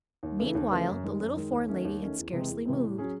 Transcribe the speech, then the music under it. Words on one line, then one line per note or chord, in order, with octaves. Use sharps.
Meanwhile the little foreign lady had scarcely moved.
D#2
C#3 E3 A3
D#2
C#3 E3 A3
F#2
D#3 G#3
F#2
D#3 G#3
D#2
D#3 A3 C#4
D#2
D#3 A3 C#4
E2
C3 E3 G#3 C4
E2
C3 E3 G#3 C4
A2
F#3 C#4 G#4